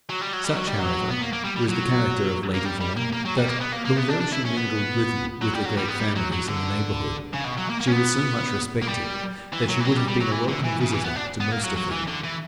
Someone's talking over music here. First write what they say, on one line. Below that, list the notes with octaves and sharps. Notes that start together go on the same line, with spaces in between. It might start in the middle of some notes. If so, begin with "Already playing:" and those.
Such, however, was the character of lady Vaughan, that, although she mingled little with the great families in the neighbourhood, she was so much respected, that she would have been a welcome visitor to most of them.
F#3
G3
F#3
G3
F#3
G3
F#3
B3
A#3
A#3
G3
G3
F#3
A#3
G3
G3
A#3
A#3
F#3
G3
A#3
B3
A#3
A#3
B3
D4
D4
E4
C#4
B3
F#3
G3
F#3
G3
B3
G3
F#3
F#3
D3
C#3
B2
F#3
A#3
A#3
C#4
B3
A#3
G3
E3
F#3
E3
F#3
G3
G3
F#3
E3
D3
E3
C#3
E3
B3
D4
B3
A#3
F#3
F#3
E3
D3
E3